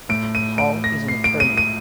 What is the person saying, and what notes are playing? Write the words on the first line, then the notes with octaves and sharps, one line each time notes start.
Hall is an attorney.
A2 D7
D#7
D7
A#6
C7
D7
D#7
D#7